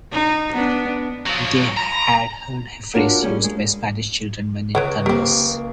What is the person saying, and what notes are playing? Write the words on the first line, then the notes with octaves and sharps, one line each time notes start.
They had heard a phrase used by Spanish children when it thunders.
D#4
B3 D4
F3 F#3
A#5
D4 F4 F#4 A#4 C#5 F#5
G3 C#4 G#4
G#3
C#2 B4 C#5 F#5 D7
A#3 C4 G4